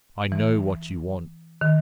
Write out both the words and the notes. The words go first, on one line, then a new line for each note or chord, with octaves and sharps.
"I know what you want."
E3
D#3